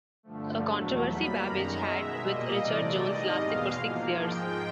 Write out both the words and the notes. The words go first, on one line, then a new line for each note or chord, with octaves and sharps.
A controversy Babbage had with Richard Jones lasted for six years.
G2 D3 F3 A3
E2 B2 F#3 A3
B2 G3 A#3 B5
F#2 D#3 G#3 A#5
B2 G#3 E5
A#2 G3 A#3 D#5
C3 E3 A3 D5
G#2 D#3 G3 D#5
E2 B2 G#3 F5
G#2 F3 A#3
G#2 F3 G#3 G5